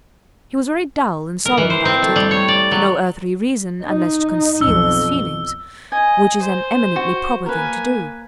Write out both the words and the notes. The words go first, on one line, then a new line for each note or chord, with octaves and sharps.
He was very dull and solemn about it--for no earthly reason, unless to conceal his feelings--which is an eminently proper thing to do.
A#4
E3
C5
C4
A3
G3
C#5
D5
F#3
D#4
B1 F2 E6
D#5 G#5
C5
F#4
A#3 A#4 B4 G#5